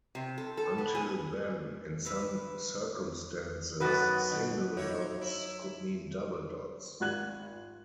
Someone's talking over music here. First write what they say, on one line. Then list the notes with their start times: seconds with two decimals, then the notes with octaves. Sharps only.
Until then, in some circumstances, single dots could mean double dots.
0.15 C3
0.38 A4
0.57 A4
0.78 B3
0.95 G#4
2.05 E3 B4 E5
3.80 F#2 D#3 B3 F#4 B4
4.30 D3
4.77 D#4 E4 C#5
5.21 E4
7.00 G#1 F4 F#5 F#6 G#6 F#7